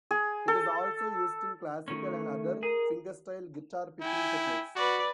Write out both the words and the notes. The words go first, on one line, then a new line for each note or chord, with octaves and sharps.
It is also used in classical and other fingerstyle guitar picking techniques.
G#4
A4
D#3 A3 C#4
G#4 A#4
E4 G5 G#5
F#4 B4 D5